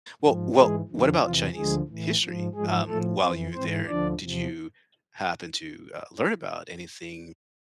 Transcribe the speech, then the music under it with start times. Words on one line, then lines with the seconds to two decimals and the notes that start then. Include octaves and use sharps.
Well well, what about Chinese history? Um, while you were there, did you happen to, uh, learn about anything
0.22 G#2 F3
0.55 G#2 E3 G#3 G#4
0.88 F2 D3 F3
1.21 E2 C3 E3 F3 F4
1.55 D2 D3 F3 G#3 G#4
1.88 A2 E3
2.22 G#2 F3
2.54 G#2 F3 G#3 G#4
2.88 A2 F3 A3 A4
3.21 F2 E3 C4 C5
3.54 G#2 E3 C4 C5
3.87 D2 D3 F3 D4 D5
4.21 E2 C3 F3